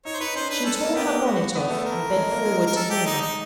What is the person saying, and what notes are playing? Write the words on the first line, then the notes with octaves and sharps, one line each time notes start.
She tore her bonnet off; and bent forwards to hear.
D#4 C#5
C5
D#4 B4
C#4 C5
D4 B4
C#4 A4
A#3
B3 G4
F#4
B3 G4
A3 A4
A#4
G#3
A#3
G#3
A#4
G#3 A4
A3 G4
G#3 D#4
D#4